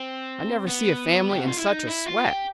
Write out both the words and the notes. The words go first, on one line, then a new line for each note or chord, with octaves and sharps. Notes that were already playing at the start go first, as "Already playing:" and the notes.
I never see a family in such a sweat.
Already playing: C4
B3
G4
F#4
F4
E4
D#4
E4
F4
G4